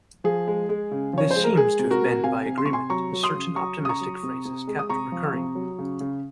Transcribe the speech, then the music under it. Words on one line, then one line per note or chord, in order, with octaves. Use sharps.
This seems to have been by agreement, as certain optimistic phrases kept recurring.
F3 G#4
G#3
G#3
C#3
F3 C#5
G#3 C5
A#4
G#3 G#4
C3
F#4 A#4
C3
C3 F5 G#5
C3
C6
C3 C#6
G#5 C6
F#3 A#5 C#6
F#3
C6 D#6
C#3
F#3 A#5 C#6
C#3
D#6
A#5 C#6
F#3
C3
C3
G#3
D#6
C3 A#5 C#6
F3
C3
F#3
C#3
C#3